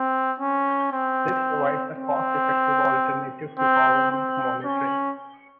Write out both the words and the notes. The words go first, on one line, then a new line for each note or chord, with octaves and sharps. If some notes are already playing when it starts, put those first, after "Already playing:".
This provides a cost-effective alternative to government monitoring.
Already playing: C4
C#4
C4
C4
C4
C4
C#4